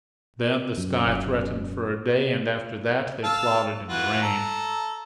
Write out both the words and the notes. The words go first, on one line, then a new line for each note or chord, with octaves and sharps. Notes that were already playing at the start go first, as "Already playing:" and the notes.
Then the sky threatened for a day, and after that they plodded in the rain.
F#2
E1
F5 A5 E6
E3 F4 F#4
A4 A#5